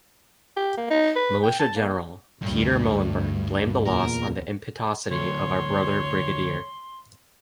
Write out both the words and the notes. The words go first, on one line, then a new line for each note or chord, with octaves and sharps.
Militia general Peter Muhlenberg blamed the loss on the impetuosity of our brother Brigadier.
G4
A#3
D#4
B4
G5
A5
A#3
D2 G2
E2 A#2 A#4
D2 F#3 C#5 C6